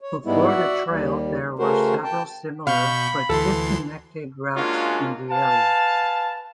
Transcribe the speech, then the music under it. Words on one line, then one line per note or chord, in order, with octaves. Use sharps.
Before the trail, there were several similar but disconnected routes in the area.
C#5
G#2 G3 G#3 B3 E4
F#4 D5 E5 F#5
D#2 G3
C#3 A3 C#4 F#4 A#4 C5
G5 A5
B2 F5 B5 C#6 G6
D2 E3 A4 C6
G#3 A#3 C#4 D4 F4 F#4
B4 F5 G#5 A5